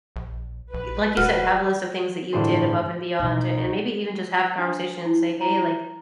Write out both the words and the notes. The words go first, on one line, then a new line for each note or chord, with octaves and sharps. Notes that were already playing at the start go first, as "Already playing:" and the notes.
y like, you said, have a list of things that you did above and beyond, and maybe even just have conversations, say, "Hey, like,
A#1
A#1 B4
D#1 F#4 B4 F6
G1 A2 E3 D4 G#4 C5
B1 D#4
D4
E4
A#5